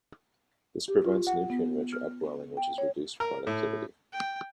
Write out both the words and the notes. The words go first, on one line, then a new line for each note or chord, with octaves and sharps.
This prevents nutrient-rich upwelling which has reduced productivity.
G4
F4
F#5
B3
F6
G5
C#5
A#4
A2
G5